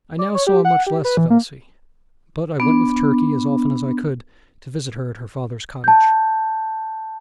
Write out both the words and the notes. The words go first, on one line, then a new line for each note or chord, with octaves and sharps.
I now saw much less of Elsie; but I went with Turkey, as often as I could, to visit her at her father's cottage.
D5
C#5
G4
F#5
G4
B4
E3
A#3
B3 D4
A5 G6